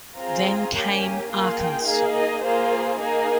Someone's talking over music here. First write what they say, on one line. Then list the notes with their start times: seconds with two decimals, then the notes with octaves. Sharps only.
Then came Arkansas.
0.18 C4 F4 G#4 A#5
0.74 A#3 C#4 G4 G#5
1.30 A#3 F4 G#4 F5
1.59 G5
1.87 A#3 D#4 G#4 F5
2.15 D#5
2.43 A#3 F4 G#4 C5
2.99 A#3 D#4 G#4 A#4